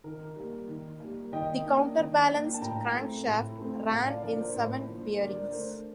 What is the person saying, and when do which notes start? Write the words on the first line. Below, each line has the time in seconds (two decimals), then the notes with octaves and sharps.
The counterbalanced crankshaft ran in seven bearings.
0.04 D#3 A#4
0.36 G3 A#3
0.68 D#3
1.00 G3 A#3
1.32 D#3 D#5 G5
1.65 A#3 D4
1.97 D#3
2.29 A#3 D4
2.54 A5
2.61 A2 G5 A#5
2.95 A3 C4
3.26 A2
3.59 A3 C4
3.91 A2 F5 A5
4.07 D5 F5
4.23 F3 A#3 D4 A#4 D5
4.40 C5
4.56 A2 C5
4.89 F3 A#3 D4
5.20 D3 A#4 D5
5.47 A#4
5.52 A3 D4 C5